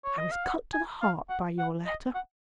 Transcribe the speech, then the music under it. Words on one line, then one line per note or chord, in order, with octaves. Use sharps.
I was cut to the heart by your letter.
C#5
D#5
F5
F#5
G#5
F5
F#5
F#5
D#5
F#5